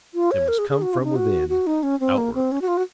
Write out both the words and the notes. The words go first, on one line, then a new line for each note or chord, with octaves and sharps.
It must come from within, outward.
F4
C#5
A#4
G#4
G#4
F#4
F4
C#4
D#4
F#4
F#4
D#4
C#4
C4
A#3
C4
C#4
F#4
F4
F#4